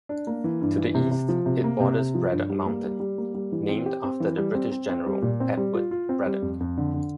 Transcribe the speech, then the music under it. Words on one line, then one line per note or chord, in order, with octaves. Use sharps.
To the east, it borders Braddock Mountain, named after the British general Edward Braddock.
D4
A#3
E3
G2
E3
C3
C3
F3
C3
A#3
C3
C3
F3
G2
G3
A#3
G3
G3
A#3
G3
E3
C4
G4
C4
E3
G3
C4
C4
C4
G3
A#2
C4
G3
F4
F4
C4
G3
F2
F2
D3
D3